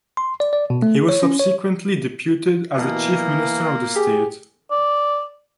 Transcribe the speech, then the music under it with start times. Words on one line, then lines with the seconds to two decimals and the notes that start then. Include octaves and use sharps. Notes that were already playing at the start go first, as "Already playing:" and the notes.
He was subsequently deputed as the Chief Minister of the State.
0.17 C6
0.40 D5
0.53 D5
0.70 B2
0.82 A3
0.95 G#4
1.09 C#5
1.23 C#4
1.39 C#5
2.78 B2 E3 A#3
3.96 G4 G#4
4.71 D5